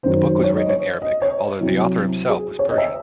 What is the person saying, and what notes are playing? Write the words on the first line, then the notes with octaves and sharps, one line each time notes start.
The book was written in Arabic, although the author himself was Persian.
F#2 D#3 F#3 C5
C5
C#5
D#5
C#5
D#5
C#5
C2 C3 F#3
G#4
C#5
D#5
E5